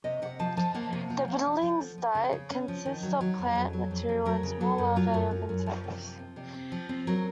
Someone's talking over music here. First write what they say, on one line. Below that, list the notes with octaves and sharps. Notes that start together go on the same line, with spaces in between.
The bitterling's diet consists of plant material and small larvae of insects.
C3 D#5
C3 F#5
F3 A5
F3 A5
A#3 F#5
C3
F3
F3
C#4
F3
A3
F3
C#3
C#3
C#4
F3
D#3
F#3
F#3
F2
F2
F#3
F2
F2
F#3 A#4
C#3
F#3 A4
F#2
F#3 F4
F#2
F#2
F#2
F3
C3
F3
C4
C3
C4
F3
C4
F#3 A#4